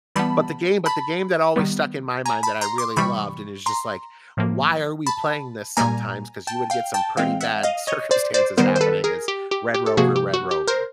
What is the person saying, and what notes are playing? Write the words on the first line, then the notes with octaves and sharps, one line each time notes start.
But the game but the game that always stuck in my mind that I really loved and it was just like, "Why are we playing this sometimes?" 'cause you would get some pretty bad circumstances happening is red rover, red rover.
E3 G3 B3 A5 B5
A5 B5
D#3 G3 B3
G#5 A#5
A5 B5
A#5 C6
C6 D6
C3 E3 G3 B5 C#6
A#5 C6
A2 F3 A#3
A5 B5
A#2 G3 A#3 G#5 A#5
G5 A5
F5 G5
G5 A5
E3 G#3 C4 F5 G5
E5 F#5
D#5 F5
C#5 D#5
C5 D5
C5 D5
D#3 G3 B3 A#4 C5
C5
A4 B4
G#4 A#4
G4
G4
G4
A4
C3 F3 A#3 F#4 G#4
G4
F#4
G4
A#4 C5